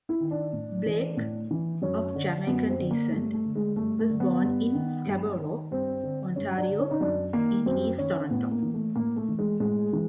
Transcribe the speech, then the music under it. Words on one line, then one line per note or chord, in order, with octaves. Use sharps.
Blake, of Jamaican descent, was born in Scarborough, Ontario, in east Toronto.
E4
D#3
D4
A2
E3
A2
E3
F#2 C#4
D3
F#2 B3
C4
D3
A#3
G2 A3
A3
D3
G#3
G2 A3
A3
D3
B3
G2
D#3
G2
D#3
G2 C4
D3
G2 C#4
D4
D3
C#4
D#4
F#2 D4
D#3 A#3
F#2 C4
D#3 C#4
A2 B3
A#3
E3
A3
A2 A#3
A3
E3
G#3
A2 G#3
E3